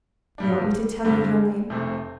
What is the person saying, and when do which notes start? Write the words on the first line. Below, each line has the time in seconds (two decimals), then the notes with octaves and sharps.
Do you want me to tell you your name?
0.38 G2 G3 D4
1.04 G2 D3 G3 C4
1.70 F1 F2 C3 A3 C4